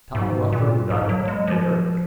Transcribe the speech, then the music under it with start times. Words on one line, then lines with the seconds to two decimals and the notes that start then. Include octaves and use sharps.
Tom Rochford nodded and drank.
0.15 G#2
0.52 A#2
0.90 G#2
1.09 F#3
1.28 G#3
1.47 F3